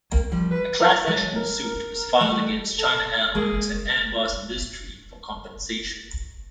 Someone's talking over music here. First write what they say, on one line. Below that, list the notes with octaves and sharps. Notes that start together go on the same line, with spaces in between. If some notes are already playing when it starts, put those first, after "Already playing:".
A class action suit was filed against China Airlines and Airbus Industrie for compensation.
A#3 C4
F3 G3
B4
A#4
F#3 G#3 A4
A#4
A#4
G3 A3
A4
G#3 A#3 G#4